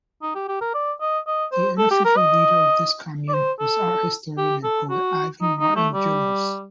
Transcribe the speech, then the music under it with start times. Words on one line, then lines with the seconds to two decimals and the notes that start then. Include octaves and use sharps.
The unofficial leader of this commune was art-historian and poet Ivan Martin Jirous.
0.22 D#4
0.35 G4
0.48 G4
0.61 A#4
0.74 D5
1.01 D#5
1.27 D#5
1.52 C5
1.78 A4
1.91 G4
2.05 A#4
2.17 D#5
3.28 D5
3.34 C5
3.60 A4
4.37 G4
4.64 A4
4.89 F#4
5.42 D#4
5.59 D#4
5.76 A3
5.93 G3